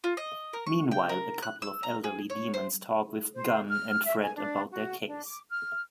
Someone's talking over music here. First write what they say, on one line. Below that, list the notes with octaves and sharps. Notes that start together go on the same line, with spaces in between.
Meanwhile, a couple of elderly demons talk with Gunn and Fred about their case.
F4
D#5
A#4
C#6
G5
A#4
F#6
E6
A#5
G#4
C#5
C5
C5
F6
E5
G#5
D4
F#4
D4
D6
F6